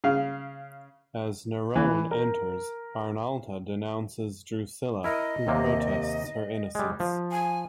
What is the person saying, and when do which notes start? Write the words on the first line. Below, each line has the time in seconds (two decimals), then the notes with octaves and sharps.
As Nerone enters, Arnalta denounces Drusilla, who protests her innocence.
0.04 C#3 F5
1.76 E3
2.11 A#4
5.04 E4 A#4 D#5
5.47 D#2 C3 A#3
6.75 G3 G#3
7.00 F3
7.31 G#5